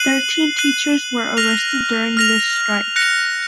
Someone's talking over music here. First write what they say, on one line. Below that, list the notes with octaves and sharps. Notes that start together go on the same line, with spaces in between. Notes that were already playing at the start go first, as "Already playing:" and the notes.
Thirteen teachers were arrested during this strike.
Already playing: F#6 C7 D#7 F#7
F#6 C7 D#7 F#7
F6 A#6 F7
F6 A#6 F7
F#6 A#6 C#7